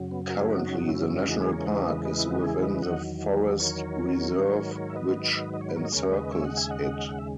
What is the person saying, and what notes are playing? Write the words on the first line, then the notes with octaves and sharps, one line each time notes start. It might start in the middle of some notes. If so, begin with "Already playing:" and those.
Currently the national park is within the forest reserve which encircles it.
Already playing: F#2 C#3 F#3
B3
F#4 A#4
E4 G#4
D#4 F#4
C#4
D#4
C#4 E4
C#4 E4
E2 C#3 E3 G#3 D#4 F#4
G#4 B4
A#4 C#5
B4 D#5
B4 D#5
E4
F#4
E4 G#4
B4 D#5
E2 D#3 F#3 D#5 F#5
A#4 C#5
G#2 D#3 F#3
B4
A#4 C#5
E5
B4 D#5
D#5
C#5
B4
A#4 C#5
D#5
D#2 C#3 G#3 A#4 C#5
B4 D#5
C#5 E5
D#5 F#5
E5 G#5
D#5 F#5
F#5
E5